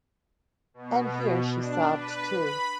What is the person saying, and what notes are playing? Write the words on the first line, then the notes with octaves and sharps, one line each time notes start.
And here she sobbed too.
B2
D4
B4
B5